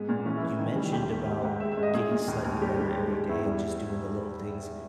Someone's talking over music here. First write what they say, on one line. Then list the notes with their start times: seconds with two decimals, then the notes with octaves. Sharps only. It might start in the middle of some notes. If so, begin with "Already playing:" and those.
you mentioned about getting slightly better every day and just doing the little things,
Already playing: G#2 G#3 B3
0.09 A#2
0.25 E3 C#4
0.37 E4
0.42 E3
0.59 D#3
0.76 G3
0.93 D#2 G4
1.10 D#3
1.27 G#2
1.44 G#2
1.60 G#3 E5
1.72 E5
1.77 G#3
1.83 D#5
1.94 A#2 G#4
2.11 A#2
2.28 D#2
2.45 D#2
2.62 G3 G4
2.79 G3
2.95 G#3
3.12 G#3
3.29 E2 E4
3.46 G3